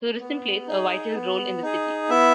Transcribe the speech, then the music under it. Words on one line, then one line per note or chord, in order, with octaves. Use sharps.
Tourism plays a vital role in the city.
B3
D#4 G#4
B3
D#4 G#4
B3 E4 E5